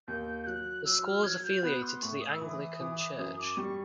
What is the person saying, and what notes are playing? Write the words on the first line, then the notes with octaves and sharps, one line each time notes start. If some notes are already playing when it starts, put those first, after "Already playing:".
The school is affiliated to the Anglican church.
D#2 G6
G6
F#3 F#6
F#3 E6
F6
F#3 G#6
G6
B3 F#6
C6
A2 C#6
D#6
E6
E3 D#6
E3
F#2 D#6
D6
G3 C#6